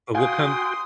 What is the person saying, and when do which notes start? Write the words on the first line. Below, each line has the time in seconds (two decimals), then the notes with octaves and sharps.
and we'll come
0.15 F#4 F5 G5 G#5 C6 D#6 G#6